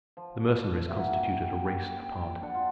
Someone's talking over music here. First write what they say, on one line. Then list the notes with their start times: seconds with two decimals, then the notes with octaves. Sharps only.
The Mercenaries constituted a race apart.
0.17 F3
0.88 A#3 F#4 G4 E5
1.40 G5
2.42 D4 F#5
2.54 F4